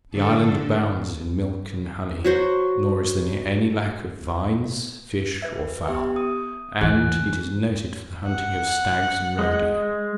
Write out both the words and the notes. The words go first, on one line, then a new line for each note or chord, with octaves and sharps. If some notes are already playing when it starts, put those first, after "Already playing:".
The island abounds in milk and honey, nor is there any lack of vines, fish, or fowl; and it is noted for the hunting of stags and roe-deer.
D3 A4
F#3 F#4 C5
B4 E5
B3 G4 E5
D#6
E2 E3 G#4 F#6
F#5
G#3